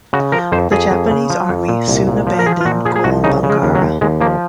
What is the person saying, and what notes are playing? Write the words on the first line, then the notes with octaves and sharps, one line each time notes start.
The Japanese Army soon abandoned Kolombangara.
C#3 F#4
F3 A#4
F2 C5
F2 G#4
F2
C#3
F3
F2
A#2
C2
A#2
F3
A#4
F3 G#4
F4
A#2 F#4
F3 G#4
G#4
C2 F#4
C#3 D#4
C#3
G#3
D#2
F#3
D#2
D#2 G#3
F3 A#3